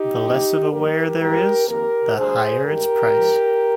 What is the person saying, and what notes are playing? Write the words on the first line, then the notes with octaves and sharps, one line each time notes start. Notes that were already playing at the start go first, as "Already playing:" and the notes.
The less of a ware there is, the higher its price.
Already playing: D#4 G4
F2 D3 F3 A#3
G2 F3 A#3 G4 A#4
G2 F3 G#3 G4 A#4
F2 D#3 A#3 G4 A#4
D2 D3 G3 G#4 C5
G2 D#3 G#3 G4 A#4
G#2 F3 G#3